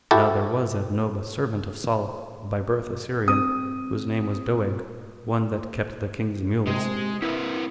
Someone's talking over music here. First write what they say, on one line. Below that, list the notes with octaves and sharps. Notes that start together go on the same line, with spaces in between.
Now there was at Nob a servant of Saul, by birth a Syrian, whose name was Doeg, one that kept the king's mules.
E4 F#4 G4 A4
C4 D#6
C3 G#3
C4 E4 A#4 B4